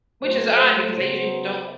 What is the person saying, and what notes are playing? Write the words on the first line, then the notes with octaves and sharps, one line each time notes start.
Which is odd because I usually don't like it.
A2 F#3 A3 C5
C5
C#3 F#3 B3